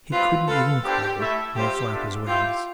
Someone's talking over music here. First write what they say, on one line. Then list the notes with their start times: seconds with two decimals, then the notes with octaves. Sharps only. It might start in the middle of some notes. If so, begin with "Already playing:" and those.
He couldn't even crow, nor flap his wings.
0.11 G3 C4 E4 F4 B4
0.47 F4 A4 B4 F5
0.83 B3 D4 G4 A4 C5 G5
1.19 A3 E4 A4 E5
1.55 G3 C4 F4 G4 C5 E5
1.90 B3 D4 F4 A4 E5
2.27 E4 F4 G4 C5 E5 G5